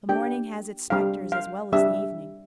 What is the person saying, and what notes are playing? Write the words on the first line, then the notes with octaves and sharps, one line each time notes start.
The morning has its spectres as well as the evening.
A#3 D4 G4 G5
G3 D4 G4 F5
F5
G3 D4 G4 E5